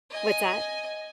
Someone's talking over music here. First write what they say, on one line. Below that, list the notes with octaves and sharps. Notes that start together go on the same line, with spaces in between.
what's that?
D#5 G#5